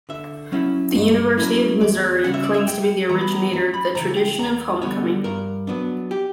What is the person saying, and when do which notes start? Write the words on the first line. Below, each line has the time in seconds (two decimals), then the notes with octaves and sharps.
The University of Missouri claims to be the originator of the tradition of homecoming.
0.09 D3 E5
0.52 F#3 C#4 E4
0.95 G2
1.38 F#3 C#4 E4
1.81 E2 D5
2.24 C#3 G3 C#4 F#5
2.34 E5
2.44 D5
2.54 E5
2.66 F#2 G5
3.09 E3 G3 B3 A#5
3.21 B5
3.33 A#5
3.53 F#2 A#5
3.74 B5
3.95 C#3 E3 A#5
4.17 G5
4.38 E2 A#5
4.82 D3 G3 B3 C#5
5.24 G2 A#4
5.67 F#3 B3 D4
6.11 G4